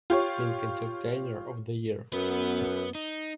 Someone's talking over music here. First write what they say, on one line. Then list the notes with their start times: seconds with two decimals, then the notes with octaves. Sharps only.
King Entertainer of the Year.
0.10 F4 G4 C#5
2.13 F#2 B3 B4
2.95 D#4